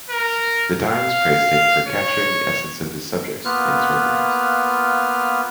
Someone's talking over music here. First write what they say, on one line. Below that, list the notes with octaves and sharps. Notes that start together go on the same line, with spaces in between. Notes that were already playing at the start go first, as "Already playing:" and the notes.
"The Times" praised him for "capturing the essence of his subjects" in his renderings.
A#4
F5
C#5
A#3 B3 F4 B4 F6